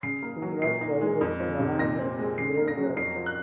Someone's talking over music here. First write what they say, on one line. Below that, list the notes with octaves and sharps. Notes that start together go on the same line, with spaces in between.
She was buried at Banani Graveyard.
C#3 C7
A#3
F#3
A#2 C7
D#4
G#3
F2
F3
C3
A#2 A#6
C4
G#3
C#3 C7
A#3
A#6
F#3
F2 C7
F3
F#6